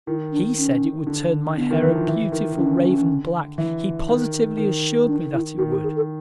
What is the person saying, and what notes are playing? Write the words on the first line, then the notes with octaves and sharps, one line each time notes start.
He said it would turn my hair a beautiful raven black--he positively assured me that it would.
D#3 E4
D4
C#4
D3
D3 B3
D#3
E3
F3
E3
D#3
D#3
D3 C#4
E3
D#3
D#3
D4
E4
D#3 F#4
G4
G#4
A4